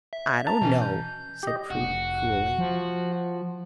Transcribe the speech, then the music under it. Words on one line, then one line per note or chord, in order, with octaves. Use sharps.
"I don't know," said Prudy, coolly.
E5
A5 A#5
B2 E3 C#4
G6
G4 D#5
F1 F#4
F3